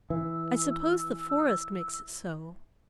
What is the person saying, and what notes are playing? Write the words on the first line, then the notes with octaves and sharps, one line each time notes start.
I suppose the forest makes it so.
E3 E6